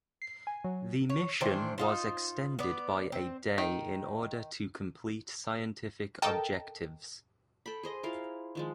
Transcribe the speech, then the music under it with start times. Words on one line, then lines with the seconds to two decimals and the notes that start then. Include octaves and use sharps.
The mission was extended by a day in order to complete scientific objectives.
0.22 C7
0.47 G#5
0.64 F#3
1.09 C#5
1.41 D#3 E3 D4 C5
1.78 D#4 F4 C5
2.59 B3 D5
3.12 C4
3.58 D#3
6.22 A4 A#4 D#5 G5 A5
7.66 A4 G5 B5
7.83 G#4 C5 D#5
8.03 E4 F4 A#4 F5
8.55 D#3 F3 G#3